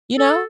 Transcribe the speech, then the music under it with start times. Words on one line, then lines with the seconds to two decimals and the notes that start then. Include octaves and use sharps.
You know?
0.18 A4